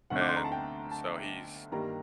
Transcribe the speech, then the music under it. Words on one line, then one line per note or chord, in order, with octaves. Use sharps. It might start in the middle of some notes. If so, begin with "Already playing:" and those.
And so he's,
D2 D3 A3 C4 D#4 F#5
D6
C6
A#5
A5
G5
A5
G2 D#3 G3 A#3 A#5